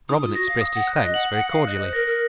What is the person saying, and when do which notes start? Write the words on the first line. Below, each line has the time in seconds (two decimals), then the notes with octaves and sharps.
Robin expressed his thanks very cordially.
0.09 D#4 D#6
0.22 F4
0.35 F#4 A#6
0.48 F5
0.61 D#6
0.75 F#5
0.87 F#6
1.01 D#5
1.14 F#5 F#7
1.32 F#5
1.41 C#7
1.50 F5
1.67 D#5 F#6
1.82 C5
1.93 A#4 A#6
2.07 A#4